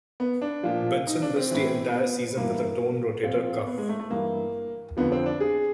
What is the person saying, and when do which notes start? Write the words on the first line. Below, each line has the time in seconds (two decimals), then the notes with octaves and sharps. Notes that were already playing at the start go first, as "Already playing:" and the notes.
Benson missed the entire season with a torn rotator cuff.
0.20 B3
0.41 D4
0.63 A#2 F3
1.07 D#4
1.22 D4
1.36 C4
1.51 A2 E3
1.93 B3
2.37 G2 E3 A#3
3.23 A#2 F3 C4
3.67 B3
3.78 G#3
3.89 A3
3.99 A3
4.10 G2 E3 A#3
4.97 F2 D3 F3 B3
5.12 C4
5.26 D4
5.40 G#4